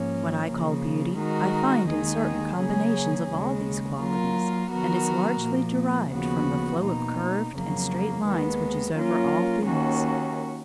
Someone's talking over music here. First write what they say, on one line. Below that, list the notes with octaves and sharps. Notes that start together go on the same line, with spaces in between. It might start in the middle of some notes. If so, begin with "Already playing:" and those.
What I call beauty I find in certain combinations of all these qualities, and is largely derived from the flow of curved and straight lines which is over all things.
Already playing: G#2 F3 A#3 C#4
C#3 F3 A#3
D#3 G#3 D#4 F#4 A#4
D#2 D#3 G#3 D#4 G#4
C#3 F#3 A#3 C#4 G#4
D#2 C#3 G#3
F#3 A#3 F4 A#4
D#3 F#3 B3 F#4 A#4
A#2 F3 A#3
D#2 C#3 F3 B3 F#4
B2 A#3 D#4
F2 C#3 F#3 A#3
D#2 D#3 G#3 B3
F#3 A#3 C#4 F4 A#4
D#2 D#3 A#3 C#4 F#4